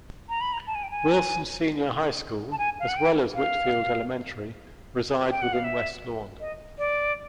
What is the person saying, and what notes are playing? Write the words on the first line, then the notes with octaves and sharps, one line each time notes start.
Wilson Senior High School, as well as Whitfield Elementary reside within West Lawn.
A#5
B5
A#5
A5
G#5
G5
G#5
A5
G#5
F5
F#5
G5
F5
G5
F#5
F5
E5
D#5
D5